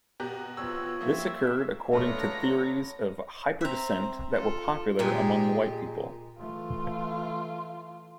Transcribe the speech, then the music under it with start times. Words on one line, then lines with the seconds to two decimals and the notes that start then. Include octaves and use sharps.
This occurred according to theories of hyperdescent that were popular among white people.
0.20 B2 G4 A#5 F#6
0.57 B3 C4 F4 C#5 E6
1.01 F3 A#3 E5
1.93 A3 B3 D4 F4 C#5 A#5
3.61 C4 E5 A#5
4.31 F4 A4
4.99 A#2 G#3 G4
6.39 E3 A3 F4